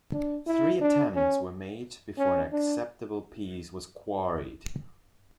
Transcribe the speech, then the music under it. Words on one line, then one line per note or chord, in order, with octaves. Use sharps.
Three attempts were made before an acceptable piece was quarried.
D4
E4
D4
C#4
C#4
D4